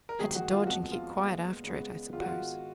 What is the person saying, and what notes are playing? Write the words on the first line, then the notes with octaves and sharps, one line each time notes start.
Had to dodge and keep quiet after it, I suppose.'
A#4
G#2 D#3 F#3 A#3 G#4
F#4
F4
F2 F3 G#3 B3 F#4
F4
A#2 G#3 B3
C#3 G#3 B3
G#2 D#3 G#3 B3 F4
F#4
F4